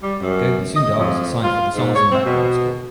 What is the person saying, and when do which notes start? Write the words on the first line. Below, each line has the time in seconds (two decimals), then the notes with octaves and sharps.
Gopi Sundar was assigned for the songs and background score.
0.02 G3
0.20 F#2
0.76 D#5
0.98 F2
1.43 F4
1.74 G#2
1.95 C#5
2.11 C4
2.25 B2